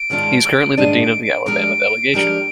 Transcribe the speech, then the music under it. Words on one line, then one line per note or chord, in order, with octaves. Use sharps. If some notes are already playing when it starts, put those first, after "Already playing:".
He is currently the dean of the Alabama delegation.
Already playing: D7
G#2 D#3 G#3 D4 F4
G#2 D#3 G#3 D4 F4 D#7
C7
D7
D7
F3 G#3 D4 G4 A#4 D7
F3 G#3 D4 G4 A#4